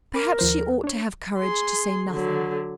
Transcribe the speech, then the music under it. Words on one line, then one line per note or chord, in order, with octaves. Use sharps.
Perhaps she ought to have courage to say nothing.
A#4 B5 D6
D#2 F3 C5
D4 C#5
G#4 C6
D3 F#3